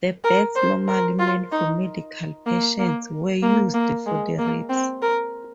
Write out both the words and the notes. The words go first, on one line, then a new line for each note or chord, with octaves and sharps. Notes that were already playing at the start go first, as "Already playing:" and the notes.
The beds normally meant for medical patients were used for the rapes.
A#4
C5
A#4
F4
D#4
A#3
A#3
A#3
A#3
G#3
A#3
C4
A#4